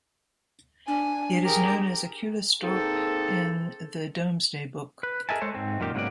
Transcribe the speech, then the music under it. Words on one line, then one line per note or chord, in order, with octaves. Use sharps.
It is known as Aculestorp in the "Domesday Book".
D4 G#5
G4 G#4 A#4
A#3 C4 D#4 G#4 A4
B4
G#4 A#4 D#5 E5 G#5 A5
G#3 A4 C5 C#5
G#2 C4
F#2 A#2 D#3 G4
G#2 C#3 F#3 A#3 B3 D5